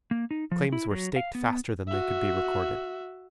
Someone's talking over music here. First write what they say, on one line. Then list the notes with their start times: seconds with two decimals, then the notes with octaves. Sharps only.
Claims were staked faster than they could be recorded.
0.11 A#3
0.31 D#4
0.51 F3
0.72 E4
0.91 F#3
1.16 F5
1.35 B3
1.88 F#4 E5